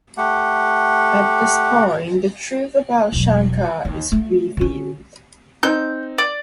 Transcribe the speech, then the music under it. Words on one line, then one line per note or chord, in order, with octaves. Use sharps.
At this point the truth about Shankar is revealed.
A3 G4 F#5
E1 F#3
D#2
A3
D3 C#4
C4 D#4 G6
D5